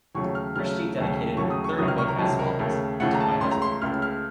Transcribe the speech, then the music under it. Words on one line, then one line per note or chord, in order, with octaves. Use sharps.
Christie dedicated her third book as follows:To My Husband.
D#2 C#3 F#3 A3 C#6
F6
D#2 C#3 F#3 A3 F6
D#2 C#3 F#3 A3
D#2 C#3 F#3 A3 C#6
D#6
C#6
C#2 C3 D#3 F#3 D#6
F6
C#6
A#5
C#2 C3 D#3 F#3 A5
A#4
D#2 C#3 A3 A#4
D#2 C#3 A3 F#5
A#5
A5
C#2 C#3 A3 C6
A#5
C6
C#2 C#3 A3 F6
F6